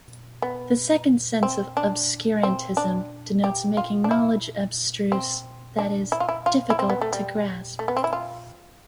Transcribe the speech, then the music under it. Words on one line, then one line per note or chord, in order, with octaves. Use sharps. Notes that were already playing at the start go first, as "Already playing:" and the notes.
The second sense of "obscurantism" denotes making knowledge abstruse, that is, difficult to grasp.
B3
C4
D4
C4
D4
G4
F4
D4
E4
C4
D4
E4
F4
E4
F4
E4
C4
B3
A3
G3
A3
B3
C4
E4
F4